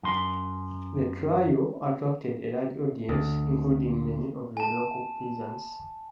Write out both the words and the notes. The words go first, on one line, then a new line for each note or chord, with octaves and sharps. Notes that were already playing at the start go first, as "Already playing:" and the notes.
The trial attracted a large audience, including many of the local peasants.
F#2 C6
D2
G#5 A5